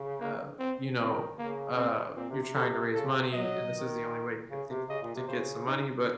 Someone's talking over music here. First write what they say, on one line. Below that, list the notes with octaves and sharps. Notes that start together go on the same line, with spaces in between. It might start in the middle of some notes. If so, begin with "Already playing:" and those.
uh, you know, uh, you're trying to raise money and this is the only way you can think to get some money, but,
Already playing: C#3
A#3
C4
D#3 C4
C#3 A#3
C4
A#2 C4
C3
C3
C3 A4
C#3 A4
F#3 D#5
D#3
C#3
C3
C#3 D#5
A#2
C3
C#3 C5
D#4